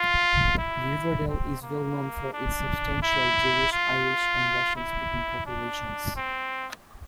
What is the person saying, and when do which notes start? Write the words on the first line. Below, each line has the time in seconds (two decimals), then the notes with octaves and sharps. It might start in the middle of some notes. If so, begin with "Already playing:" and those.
Riverdale is well known for its substantial Jewish, Irish and Russian-speaking populations.
Already playing: F4
0.58 E4
1.28 C4
1.62 A#3
2.33 D4
3.02 E4
3.72 F4
4.76 E4
5.46 D4
6.16 C4